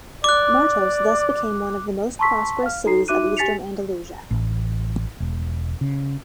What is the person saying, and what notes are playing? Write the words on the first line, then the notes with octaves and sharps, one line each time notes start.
Martos thus became one of the most prosperous cities of eastern Andalusia.
D5 D6 F#6
A5 A#5 C6 C#6 E6 B6
F5 F6
D#4 F#4 A4 A#5 C7
D#4 F#4 E5 D6 F#6 D#7
G4 G#5 A6 B6 C#7 F7
A1
E1
C#3